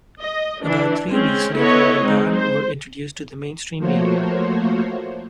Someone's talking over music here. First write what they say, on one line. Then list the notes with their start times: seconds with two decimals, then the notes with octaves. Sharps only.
About three weeks later, the band were introduced to the mainstream media.
0.19 D#5
0.64 E3 D4
1.08 G#3 C4 C#4
1.56 B3 E4 A4 B4 C#5 D#5
2.03 G#3 C4 D#4
2.35 C5
3.77 F3 A3 A#3 F#4 C5 C#5